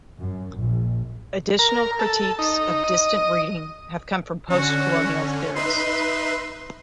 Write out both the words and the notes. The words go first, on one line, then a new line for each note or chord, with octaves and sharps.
Additional critiques of distant reading have come from postcolonial theorists.
F#2
A#1
A#4
A4
D#4
D#5
D3 C#4 F#4
D#4 B4 E5 C6